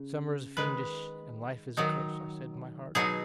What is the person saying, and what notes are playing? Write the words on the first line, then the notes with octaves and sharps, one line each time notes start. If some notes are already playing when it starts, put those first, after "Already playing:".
Summer is fiendish and life is a curse, I said in my heart.
Already playing: C#3
D#3 G#3 D#4 B4
D#3 F#3 D#4
B2 F#3 D#4 G#4